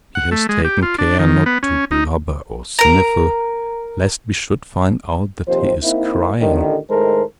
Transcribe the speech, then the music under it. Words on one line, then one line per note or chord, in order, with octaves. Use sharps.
He has taken care not to blubber or sniffle, lest we should find out that he is crying.
F#5
A3
G#3
G4
F4
D4
D#3
B3
C#4
D#4
A#4 A#5
D#2 C3 F3 C5
A#3 C4 D#4 E4
A1 D3 D#3
A2 D#3 G#3 A4 A#4 C5